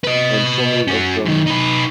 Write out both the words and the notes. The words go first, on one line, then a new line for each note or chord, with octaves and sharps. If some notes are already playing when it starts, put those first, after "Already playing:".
and so many of them
B4 D#5
F#3 C#4
F#2 D#3
D#4 B4